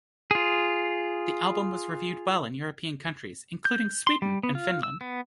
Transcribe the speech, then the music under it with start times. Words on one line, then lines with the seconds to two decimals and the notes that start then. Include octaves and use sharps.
The album was reviewed well in European countries, including Sweden and Finland.
0.31 F4 G#4
3.65 G6
4.07 C6
4.22 G3
4.43 B3
4.55 F4
4.83 E6
5.01 B3